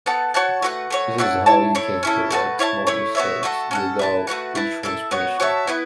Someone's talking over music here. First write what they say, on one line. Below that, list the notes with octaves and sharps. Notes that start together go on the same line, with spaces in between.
That is how you can correct small mistakes, without retransmission.
B3 A4 F#5 A5
F#4 C#5 F#5 A5
A3 F#4 B4 F#5
A3 F#4 C#5
E4 C#5 F#5 A5
E4 C#5 A5
E4 A4 C#5
C#4 E4 A4
A3 F#4 B4 A5
E4 C#5 E5 A5
A3 E4 C#5
B3 F#4 C#5 E5
A3 F#4 A4 F#5
C#4 A4 F#5
E4 B4 A5
A3 F#4 B4 F#5
E4 B4 A5
E4 A4 E5 A5
B3 F#4 C#5 F#5
F#4 C#5 E5 A5
B3 E4 B4